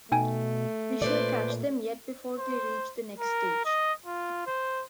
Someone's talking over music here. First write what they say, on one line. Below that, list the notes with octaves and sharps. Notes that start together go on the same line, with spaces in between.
We shall catch them yet before they reach the next stage.
B2 A3 D#4 G5 G#5
A#2 B4 C5 D5
C5
A#4
D#5
F4
C5